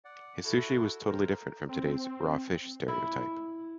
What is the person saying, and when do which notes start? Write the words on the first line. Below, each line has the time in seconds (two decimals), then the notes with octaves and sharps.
His sushi was totally different from today's "raw fish" stereotype.
0.05 D5 F#5
0.44 E4 F#4 A4 A5
1.08 A#4 C5 A#5
1.69 C4
2.88 E4